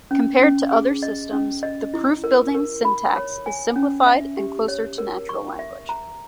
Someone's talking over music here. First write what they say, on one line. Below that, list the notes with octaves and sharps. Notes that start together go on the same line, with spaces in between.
Compared to other systems, the proof-building syntax is simplified and closer to natural language.
C#4
C#4
G#4
D#5
C#4
D#5
E4
A#4
A#4
B5
C#5
G#5
C#4
E5
G4
C#5
A#4
C#6
E5
A#5